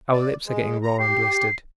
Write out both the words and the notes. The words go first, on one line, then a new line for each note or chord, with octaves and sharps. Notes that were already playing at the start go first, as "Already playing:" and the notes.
Our lips are getting raw and blistered.
D5
G#3
A#5
G4 C7